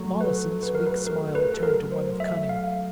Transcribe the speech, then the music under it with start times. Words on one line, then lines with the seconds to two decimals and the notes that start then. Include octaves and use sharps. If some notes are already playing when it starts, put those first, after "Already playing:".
Mollison's weak smile turned to one of cunning.
Already playing: F#3 A3
0.21 B4
0.63 B4
0.75 A#4
0.87 B4
1.07 A#4
1.35 B4
1.54 A4
1.63 A#4
1.92 C5
2.20 E5
2.49 F5